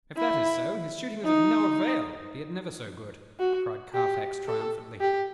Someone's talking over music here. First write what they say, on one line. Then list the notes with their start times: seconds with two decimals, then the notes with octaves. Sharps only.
"If that is so, his shooting is of no avail, be it never so good," cried Carfax, triumphantly.
0.17 E4
1.25 D#4
3.39 F#4
3.94 G4
4.48 A4
5.00 G4